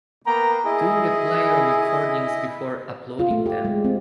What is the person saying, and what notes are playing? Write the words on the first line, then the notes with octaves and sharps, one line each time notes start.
Do you replay your recordings before uploading them?
A#3 B3 G5 A#5
E4 G#4 D#5
F4
A3
G4
G#3
C4